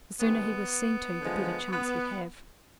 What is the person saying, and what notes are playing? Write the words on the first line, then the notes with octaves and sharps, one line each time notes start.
The sooner he was seen to, the better chance he'd have.
C3 D#3 G#3 B3
D3 F3 G#3
B3